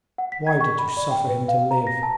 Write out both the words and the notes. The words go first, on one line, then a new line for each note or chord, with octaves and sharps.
"Why did you suffer him to live?"
F#5
B6
G#6
C#6
B5
D5
G5
B4
F5
A#5
A#6
A5